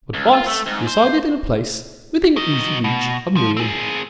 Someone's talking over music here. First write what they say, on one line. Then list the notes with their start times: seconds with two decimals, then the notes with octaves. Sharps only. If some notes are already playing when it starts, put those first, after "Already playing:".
But Weiss resided at a place within easy reach of New Inn.
0.14 C#2
0.33 F4
0.47 A3
0.66 G#2
0.87 C5
2.36 F#3 D#5
2.84 B2
3.36 F3
3.57 C4 G#4